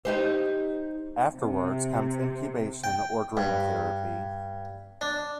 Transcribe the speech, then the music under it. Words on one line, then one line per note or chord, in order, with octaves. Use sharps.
Afterwards, comes incubation or dream therapy.
D#4 G4 C5
C3
G5
G2
D4